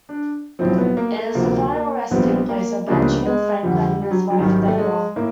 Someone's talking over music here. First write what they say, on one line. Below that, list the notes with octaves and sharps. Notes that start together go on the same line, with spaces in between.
It is the final resting place of Benjamin Franklin and his wife, Deborah.
D4
B1 A2 F3 C4
B3
A#3
A3
D2 C3 F3 A#3
A#3
A#1 A#2 G3 B3 C4
A#3
C#2 C#3 F3 G3 A#3 D4
G#3
F2 D3 F3 G3
G3
F#3
F#3
G#1 F#2 D#3 G3
A3
G#3
A2 A#3